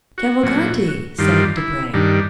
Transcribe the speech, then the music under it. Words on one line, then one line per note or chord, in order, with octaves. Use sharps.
"Cavalcanti!" said Debray.
F#4
A#2 F#3 A3
G2 D#3 G3 F4
E4
G2 D#3 G3 D4